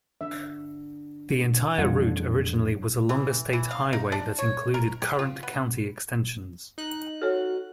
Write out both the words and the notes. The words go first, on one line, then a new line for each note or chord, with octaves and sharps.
The entire route originally was a longer state highway that included current county extensions.
D3 E5
A1 F2 G3 D4 F4 F#5 G#6
E3
E3
F5
D#4
D4
C#5
A#4
G4
F4
B3
D#4 F#6
F#4 A4 C#5